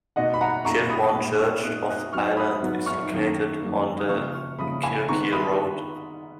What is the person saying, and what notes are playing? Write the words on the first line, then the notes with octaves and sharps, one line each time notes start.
Kilhorne Church of Ireland is located on the Kilkeel road.
B2 A#3 D#5 F#5
B5
F#5 A#5
B2 A#3 A#5 C#6
B5 D#6
A#2 G#3 B3 B5 D#6
C#6 F6
A#2 G#3 B3 D#6 F#6
D#6 F#6
G#2 F#3 B3 C#6 F6
B5 D#6
G#2 F#3 B3
C#6 F6
F#2 D#3 A#3
F#2 D#3 A#3
D#6
C#3 F3 A#3 C#6 F6
C#6 F6
C#3 F3 A#3 B5 D#6
G#5 B5
G#2 D#3 G#3 B3 A#5 C#6
B5 D#6